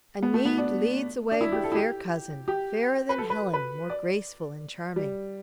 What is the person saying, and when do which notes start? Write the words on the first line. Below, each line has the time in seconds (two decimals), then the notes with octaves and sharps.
Enide leads away her fair cousin, fairer than Helen, more graceful and charming.
0.23 B3
0.34 A3
0.45 B3
0.58 D4
1.31 D4
1.41 E4
1.52 G4
1.64 A4
1.72 E4
1.76 G4
2.48 G4
3.09 B4
3.18 A4
3.30 B4
3.54 B4
3.90 D5
4.96 G3